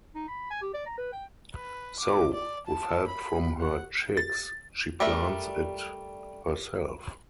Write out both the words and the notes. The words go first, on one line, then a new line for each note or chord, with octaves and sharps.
So, with help from her chicks, she plants it herself.
D#4
B5
G#5
G4
D5
A#5
B4
G5
B4
D6
D5
A5
B5
F#5
A6
G3 A3 D4 A#4 E5